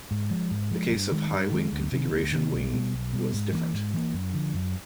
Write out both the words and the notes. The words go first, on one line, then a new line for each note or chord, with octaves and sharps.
The case of high-wing configuration wing was different.
G#2
F3 G#3
G#2
F3 G#3
G2
D#3 G#3
G2
D#3 G#3
D2
C3 D#3
D2
C3 D#3
B1
B2 G3
B1
B2 G3
G#2
E3 G3 A#3
G#2
E3 G3 A#3
F#2
D3 F3
F#2